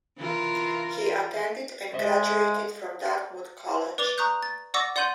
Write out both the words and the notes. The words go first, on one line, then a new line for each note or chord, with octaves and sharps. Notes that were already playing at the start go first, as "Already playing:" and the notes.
He attended and graduated from Dartmouth College.
E3 F4 A#4
G#3 C5 D#5 E5
B4 D5 D6 A6 F7 G7
A#5 C#6 D#6 F#6 G6
A6
D5 F#5 C#6 D6 E6 A#6
D5 F#5 C6 G6 D#7 F#7